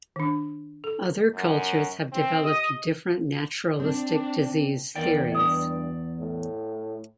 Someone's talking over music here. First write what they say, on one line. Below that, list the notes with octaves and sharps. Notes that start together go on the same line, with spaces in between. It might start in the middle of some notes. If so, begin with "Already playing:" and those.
Other cultures have developed different naturalistic disease theories.
D#3 D4
A4
F#2
C4
G4 D#5 D#6
C4 D4
E2 D#3 D5 G5
G2 D#5 D#6
A2